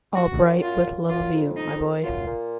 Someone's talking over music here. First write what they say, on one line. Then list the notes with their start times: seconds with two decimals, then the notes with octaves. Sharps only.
All bright with love of you, my boy.
0.15 F#4
0.39 F#2
0.62 F4
1.09 F#2 F4
1.33 F2
1.57 D#4
2.03 F#2 F4
2.27 A#2